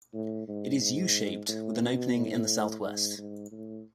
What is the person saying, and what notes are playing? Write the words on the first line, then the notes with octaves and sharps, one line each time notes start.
It is U-shaped, with an opening in the south-west.
A2
G#2
G#2
A2
B2
A2
G#2
G#2
A2